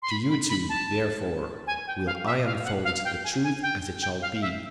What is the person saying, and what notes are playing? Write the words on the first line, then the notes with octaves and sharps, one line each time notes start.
To you two, therefore, will I unfold the truth as it shall be.
C6
B5
B5
B5
A5
G#5
G5
F5
E5
F5
F#5
F5
G5
G#5
G#5
G5
G5
F5
E5